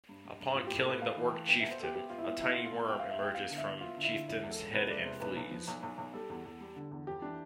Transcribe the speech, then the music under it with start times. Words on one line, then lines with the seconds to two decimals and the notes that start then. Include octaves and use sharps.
Upon killing the Orc chieftain, a tiny worm emerges from chieftain's head and flees.
0.09 G2
0.25 G2
0.40 G2
0.55 A2 F4
0.67 A2 G4
0.78 A4
0.87 A3 B4
1.02 A3 F5
1.17 E3
1.25 G5
1.33 A3
1.48 B3 G5
1.60 B2 E5
1.71 C5
1.80 G4 A4
1.94 B3 G4
2.10 B3 F4
2.19 E4
2.26 B3
2.41 B2 E4
2.53 F4
2.56 B2
2.65 F4
2.72 B2
2.88 B2 G5
3.00 G3 F5
3.11 E5
3.19 G3 G5
3.35 B3 F5
3.50 D3
3.58 E5
3.66 B3
3.81 B3 F4
3.97 D3
4.04 E4
4.12 D3
4.28 E1 E4
4.43 E2
4.51 A4
4.59 E1
4.74 C3 B4
4.89 E1 D5
5.05 C3 C5
5.20 B1 B4
5.37 B1
5.51 F3
5.68 B1
5.83 B1
5.98 B1
6.14 G3 A4
6.29 E2
6.46 E2
6.61 G3
6.76 D3
6.91 E2
7.07 F2 G4
7.22 E3 D4